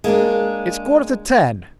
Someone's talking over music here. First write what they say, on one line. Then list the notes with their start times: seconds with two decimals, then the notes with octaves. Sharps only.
"It's quarter to ten."
0.04 G#3 A#3 C#4 D4